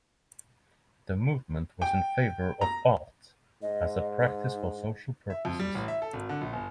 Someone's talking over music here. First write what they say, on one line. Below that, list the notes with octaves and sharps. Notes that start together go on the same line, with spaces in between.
The movement was in favour of art as a practice for social purposes.
G5
A#5
G#2 D#5
D#4
E5
F2
G3
A1
E5
A4
G#1
D3
A#1
G1